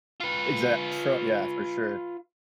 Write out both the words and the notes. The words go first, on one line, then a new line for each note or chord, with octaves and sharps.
exact, tra yeah, for sure.
F4 B4